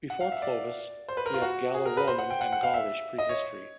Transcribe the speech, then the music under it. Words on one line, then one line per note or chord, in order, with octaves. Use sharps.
Before Clovis, we have Gallo-Roman and Gaulish prehistory.
F#5
F5
E5
D5
C5
B4
A#4
F4
F#4
G#4
A#4
B4
C5
F#5
G5
F#5
F#5
F5
E5
D#5
C#5